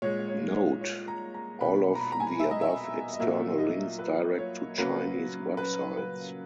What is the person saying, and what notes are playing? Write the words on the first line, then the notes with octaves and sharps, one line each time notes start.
Note: All of the above external links direct to Chinese websites.
A#2 G#3 C#5
C#5
C#5
C#5
A#5
A#5
B2 A#3 B5
A#5
B5
A#5
G#5
E5
D#5
E5
D#5
A#2 F#3 A#3 E5
D#5
B4
C#5
C#3 F#3 A#3 B4
B4
B4